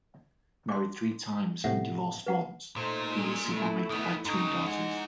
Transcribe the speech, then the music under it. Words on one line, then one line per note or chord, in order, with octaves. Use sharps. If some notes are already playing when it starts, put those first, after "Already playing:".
Married three times and divorced once, he is survived by twin daughters.
C6 D6
A2 C3 E5 F#5
B4 F#5 A#5
A#2 A3 D#4 C5
G#4
A3 E4
D#3 B3
F#2 C#3 D#4
G#3 D#4 E4 F#5